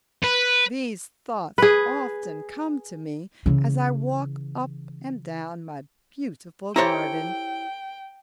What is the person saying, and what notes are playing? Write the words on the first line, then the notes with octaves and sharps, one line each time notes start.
These thoughts often come to me as I walk up and down my beautiful garden.
B4
G#4 B4
C#3 E3
E4 G4 A4 C5 C#5 G5 A#5